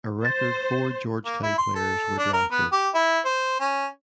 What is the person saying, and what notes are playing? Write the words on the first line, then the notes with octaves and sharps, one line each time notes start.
A record four Georgetown players were drafted.
C5 A6
A#3
E4
C6
A4
D4
A#4
B3
G4
E4
C5
C#4